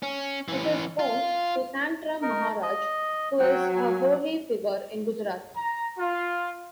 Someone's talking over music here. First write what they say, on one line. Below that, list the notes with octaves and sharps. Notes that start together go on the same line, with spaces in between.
It is home to Santram Maharaj who is a holy figure in Gujarat.
C#4
E3 C#4
F4 F5
D#4 A#4
D#5
F#3 F#5 G5
G#5
A#5
F4